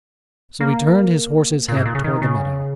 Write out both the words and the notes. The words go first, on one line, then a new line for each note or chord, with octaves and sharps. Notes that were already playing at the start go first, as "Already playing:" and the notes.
So he turned his horse's head toward the meadow.
A#3
A#2
G#2
A#2
C#3
D#3
C#3